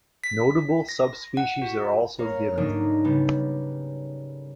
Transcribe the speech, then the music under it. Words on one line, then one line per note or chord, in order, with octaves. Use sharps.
Notable subspecies are also given.
B6
A#6
F#5
F#4
A#3 A#4 C#5 F5
G#2 D3 F#3 A#3 D4 D#4
C#3 G3 B3